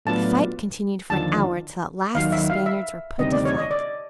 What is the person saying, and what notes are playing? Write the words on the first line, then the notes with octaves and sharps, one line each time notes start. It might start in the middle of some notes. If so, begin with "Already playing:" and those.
The fight continued for an hour, till at last the Spaniards were put to flight.
A2 F#3 B3 D4 F4 A5
D#2 D3 F3 A5
D#2 D#3 F#3 F5
E5
F5
E5
D2 C3 D#3 G3 D#5
D5
C#5
D#5
D5